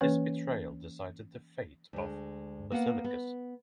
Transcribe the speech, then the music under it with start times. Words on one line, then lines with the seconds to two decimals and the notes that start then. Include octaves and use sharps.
This betrayal decided the fate of Basiliscus.
0.01 E3 A#3 C#4 B4 C#5
1.93 D2 G#3
2.72 A#3 B3 F#5
3.04 B3